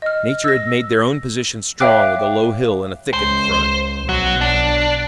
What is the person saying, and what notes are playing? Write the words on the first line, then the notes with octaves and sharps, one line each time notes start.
Nature had made their own position strong with a low hill, and a thicket in front.
D#5 F6
E6 A#6
C#5 E5 F5 G5 D6 F#6
C#2 C5
B1 F#3
D4